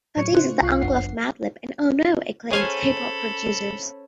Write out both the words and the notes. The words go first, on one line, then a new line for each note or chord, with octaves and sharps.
Faddis is the uncle of Madlib and Oh No, acclaimed hip-hop producers.
A2 F#3 C#5 C#6 G#6 C#7
C#3 D4 F4 C5 F#6
A3 F4
C2 F4 C#6 F#6 C7
G1 F#2 B3 D4 F#5 C7
C#4 G#4 A4 C5 C#5 F5 G#5 B5